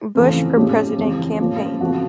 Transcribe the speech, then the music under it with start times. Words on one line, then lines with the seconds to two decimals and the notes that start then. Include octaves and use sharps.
Bush for President campaign.
0.15 F2 C#3 E3 A3 C4
0.57 A2 F3 G#3 C#4 G4
0.98 F2 C#3 E3 G#3 C#4
1.39 A2 F3 A#3 C#4
1.81 F2 C#3 F3 F#4